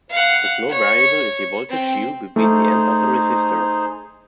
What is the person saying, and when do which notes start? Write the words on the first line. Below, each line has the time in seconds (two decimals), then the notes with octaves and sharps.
The slow variable is the voltage "U" between the ends of the resistor.
0.10 F5 F#5
0.69 C#5
1.69 C4 G5
2.36 A3 D#4 G#4 C5